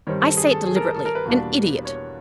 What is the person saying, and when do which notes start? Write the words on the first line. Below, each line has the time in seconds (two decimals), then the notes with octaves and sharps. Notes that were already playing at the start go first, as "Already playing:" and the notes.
I say it deliberately--an idiot!
0.07 G2 D#3 G3 C4 C#5
0.21 A4
0.37 G#4
0.51 A4
0.65 G#4
0.76 A#4
0.80 A4
0.95 A4
1.05 A#4
1.15 B4
1.25 E2 B2 G3 A#3 D4
1.85 C#5